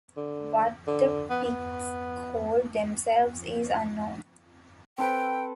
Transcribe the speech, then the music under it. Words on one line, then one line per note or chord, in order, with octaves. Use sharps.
What the Picts called themselves is unknown.
D3
D3
B3
B3
C4 A4 B4 G5